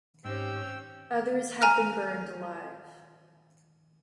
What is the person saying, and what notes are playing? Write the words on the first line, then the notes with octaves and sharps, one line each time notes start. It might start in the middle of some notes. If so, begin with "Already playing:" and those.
Others had been burned alive.
G#2 C4 C#4 G4 G5 E6
G#5 A#5 F6 F#6